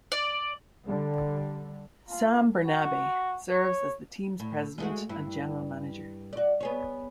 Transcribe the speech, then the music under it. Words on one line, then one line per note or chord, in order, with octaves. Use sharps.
Sam Bernabe serves as the team's president and general manager.
D5
D3 G3
F4
F#4
C#5
A2
G#3 A3 F#4
G2 E4
F#4 D5
B3 G#4 C#5